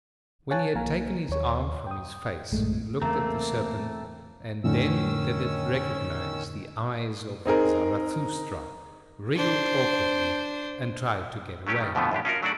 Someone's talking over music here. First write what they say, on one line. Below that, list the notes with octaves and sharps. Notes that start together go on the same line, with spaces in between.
When he had taken his arm from his face he looked at the serpent; and then did it recognise the eyes of Zarathustra, wriggled awkwardly, and tried to get away.
C#5 F5 G#5 A5 F#6 A6
B1 F3 A#3 F5 G#5 A#5
D#2 C#5
G5 D#6
A#1 F#2 A2 D#3 G#3 A3
E2 C#3 A3 A#3 C4 A#5
F2 A2 D3 D#3 C#4 E6
C4 D#4 G#4 A#4
D4 C5
F#3 A3 C#4 G4
D#3 G3 A3
F2 B2 D3 F3 A3 B3
F#2 A2 D4 G4
C#4 F4 F#4 A#4
F#3 A3 D4 D#4 F#4 D5